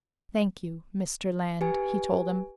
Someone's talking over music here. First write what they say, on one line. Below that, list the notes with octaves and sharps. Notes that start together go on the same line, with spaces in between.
"Thank you, Mr. Land," he told him.
G4 B4 G#5